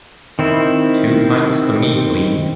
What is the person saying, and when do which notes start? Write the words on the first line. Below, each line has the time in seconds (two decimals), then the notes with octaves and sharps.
Two pints for me please.
0.39 D#3 C4 E4